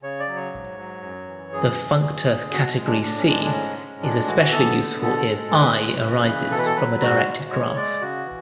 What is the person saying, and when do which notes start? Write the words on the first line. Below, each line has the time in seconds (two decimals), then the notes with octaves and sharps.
The functor category "C" is especially useful if "I" arises from a directed graph.
0.02 C#3 C#5
0.20 D5
0.28 F#3
0.36 C#5
0.52 G#2
0.78 F#3
1.03 F#2
1.27 E3
1.53 F#2 G#4
1.77 E3
2.03 F#2
2.27 D3
2.52 B2 F#4
2.77 G#3
2.86 D4
3.02 A2 D4
3.18 C#4
3.27 G#3 D4
3.45 D4
3.52 G#2 C#4
3.78 G#3
4.02 A2 D4
4.27 E3 F#4
4.51 B3 A4
4.77 D3
5.01 B2 A4
5.26 G#3
5.51 A2 B4
5.76 G#3
6.02 C#3
6.26 E3
6.51 B2 A4
6.59 B4
6.66 A4
6.76 F#3 B4
7.01 G#2 F#4
7.26 G#3
7.51 A2 C#5
7.76 G#3 D5
8.01 C#3 F#4
8.26 E3